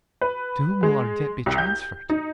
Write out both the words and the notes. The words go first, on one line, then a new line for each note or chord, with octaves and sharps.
"To whom will our debt be transferred?"
B4
G#3
C2
G6
D#4